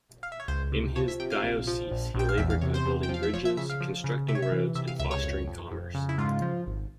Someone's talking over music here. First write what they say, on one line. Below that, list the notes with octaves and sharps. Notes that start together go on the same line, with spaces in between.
In his diocese he laboured by building bridges, constructing roads, and fostering commerce.
F5
E5
C#5
C#2 C5
C3
F3 C#5
E5
C3 G5
F5
A#1
F3
A#1
A#1 G5
F5
E2 E5
F5
C3 C#5
C5
E2
G5
F3 F5
E5
F3 C#5
E5
C#3 E5
F5
F3
C#3
C3 E5
C#5
E5
E3
C3 E5
F5
C#2 E5
C#5
F2
F2
F2
C#3
E4
G#2 F4
F3
G#1